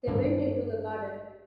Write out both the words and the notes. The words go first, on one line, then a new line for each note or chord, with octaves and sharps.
They went into the garden.
G#1 G2 D4